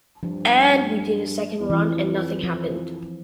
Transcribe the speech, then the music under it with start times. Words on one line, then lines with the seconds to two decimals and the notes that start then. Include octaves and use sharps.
And we did a second run and nothing happened.
0.23 G2 F3
1.60 E2
1.70 F2 E3
2.43 F3